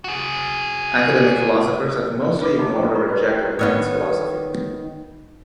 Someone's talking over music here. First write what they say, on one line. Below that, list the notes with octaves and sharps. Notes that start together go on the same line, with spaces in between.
Academic philosophers have mostly ignored or rejected Rand's philosophy.
F#4 G#4
B4 E5 B5 D6 D#6
D4 D#5 F#5 A5 A#5 C6
G5 A#5 C#6
D4 D#4 G#4 A#5 B5 C#6
B4 C5 D5 D#5 C6
E4 F#4 C5 E5 G5 C6
D#3 B3 C#5